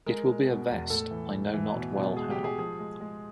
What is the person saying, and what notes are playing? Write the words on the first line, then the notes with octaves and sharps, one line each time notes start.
It will be a vest, I know not well how.
G#3 A#4
G#3
B2
E2
A2 A4
E3
A2
E3
B2
B2
G#3 G#4
G4
G#3
G#4
F3 G#4
G#3
G#3